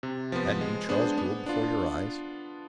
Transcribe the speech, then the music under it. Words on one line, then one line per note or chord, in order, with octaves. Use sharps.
Hadn't you Charles Gould before your eyes?
C3
F3 B3
G#3
B3 D4 G#4 C5
B3
D4 F4